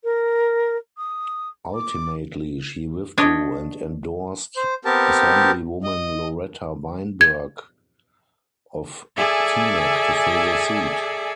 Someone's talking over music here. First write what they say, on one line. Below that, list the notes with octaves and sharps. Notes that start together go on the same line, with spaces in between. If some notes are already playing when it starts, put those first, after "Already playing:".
Ultimately, she withdrew and endorsed Assemblywoman Loretta Weinberg of Teaneck to fill the seat.
A#4
D#6
D6
D4 C#5 D#5
C5
B3 C4 G4 A#4 A5
D#5
G#6
G#4 A4 D5 E5 G#5